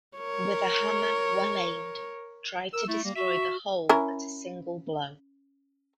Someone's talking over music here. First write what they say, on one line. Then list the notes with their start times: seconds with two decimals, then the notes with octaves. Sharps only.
With a hammer well-aimed, try to destroy the whole at a single blow.
0.18 A#4 C#5
2.73 A#4 E6
2.88 A3 E4
3.04 G3 A#3
3.16 F#4 E5
3.89 C#4 E4 A#4